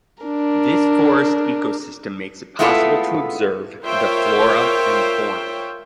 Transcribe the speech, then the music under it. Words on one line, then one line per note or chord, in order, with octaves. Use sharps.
This forest ecosystem makes it possible to observe the flora and fauna.
D4 A#4
G#3 A3 B3 E4 F4 A4
F4 A#4 C5 C#5 E5 G5